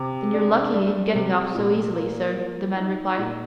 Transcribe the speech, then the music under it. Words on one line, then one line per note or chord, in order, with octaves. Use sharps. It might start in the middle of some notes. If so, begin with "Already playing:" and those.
"Then you're lucky in getting off so easily, sir," the man replied.
Already playing: C3
D4
G3
C3
A#2
A#3
F3
D#4
A#2